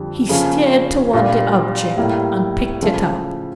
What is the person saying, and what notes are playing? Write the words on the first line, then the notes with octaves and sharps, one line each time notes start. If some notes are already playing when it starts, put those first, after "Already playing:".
He steered toward the object and picked it up.
Already playing: F2 D3 G3
C#3 F3 A#3 C#4
A#2 G3 D4 F4
A2 G3 A#3 E4
C#3 F3 A3